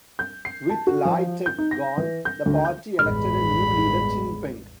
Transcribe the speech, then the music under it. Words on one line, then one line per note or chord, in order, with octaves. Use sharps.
With Lai Teck gone, the party elected a new leader, Chin Peng.
G6
C7
A5
F#4
F3
G6
D#4
A#6
E3
G6
D2
G6
A1 E2 G2 G#3 B5 F6